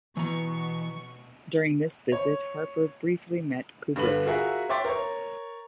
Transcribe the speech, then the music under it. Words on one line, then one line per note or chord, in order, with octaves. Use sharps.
During this visit, Harper briefly met Kubrick.
B2 E3 A#5 C#6
C#5
G2 D3 B4 F#7
F4 F#4 G#4 A#4 E5
C#5 E5 G5 C6 D6 A6
A#4 C#5